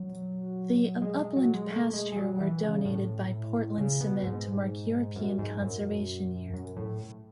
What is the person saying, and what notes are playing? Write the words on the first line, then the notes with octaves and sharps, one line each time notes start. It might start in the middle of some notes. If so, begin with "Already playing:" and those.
The of upland pasture were donated by Portland Cement to mark European Conservation Year.
Already playing: F#3
G#3
G#3
F#3
G#3
A3
G#3
G#3
F#3
E3
C#3
A2
C#3
B2
G#2
F#2
G#2
F#2
F#2
A2